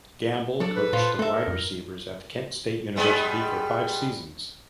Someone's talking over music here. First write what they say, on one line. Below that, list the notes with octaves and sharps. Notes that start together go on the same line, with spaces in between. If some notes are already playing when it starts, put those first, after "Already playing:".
Gamble coached the wide receivers at Kent State University for five seasons.
F#3 D4 A4
B4
A#2 F4 A4 C5
A3 A4 E5
A#4
F#2
G3 G#3 B3